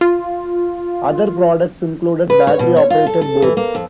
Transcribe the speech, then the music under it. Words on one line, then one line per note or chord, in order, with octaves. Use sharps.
Other products included battery-operated boats.
F4
B4
C#5
B2
C#5
F4
A4
A4
E3
A#3
F2